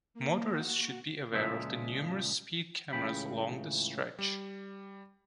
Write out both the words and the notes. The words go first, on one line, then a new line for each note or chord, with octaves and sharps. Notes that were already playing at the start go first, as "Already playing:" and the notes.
Motorists should be aware of the numerous speed cameras along this stretch.
A#3
F#4
C#2 A#2 F3 G#3 E5
C#2 A2 C#3 E3 G5 B5
G3